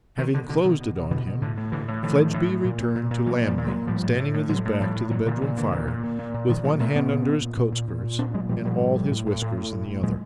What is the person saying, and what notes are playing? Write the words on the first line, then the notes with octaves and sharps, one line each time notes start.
Having closed it on him, Fledgeby returned to Lammle, standing with his back to the bedroom fire, with one hand under his coat-skirts, and all his whiskers in the other.
B2 D#3
B2 D3
B2 D3
B2 D#3
B2
B2
B2 D3 E3
B2
A2 D3
A2
A2 D3 E3
A2
A2 D#3 F3
A2
A2
A2
A#2
A#2
A#2
A#2
A#2 E3 F#3
A#2
F3 G3
A#2
F#3 G#3
A#2
A2 F3 G3
A2
A2
A2
A2 F#3 G#3
A2
A2 F3 G3
A2
A#2 E3 F#3
A#2 D3 E3
E3
A#2 D#3 F3
A#2 D3 E3
A#2
A#2
A#2
A#2
A#2
A#2 D#3 F3
A#2 E3 F#3
A#2 A3 B3
A#2 B3 C#4
A#2
A#2
A#2
A#2
A#2
A#2
A#2
A#2 C4 D4
A#2 F#3 G#3
A#2 F3 G3
A#2 F3 G3
A2
A2
A2
A2
A2
A2
A2
A2
A#2 F#3 G#3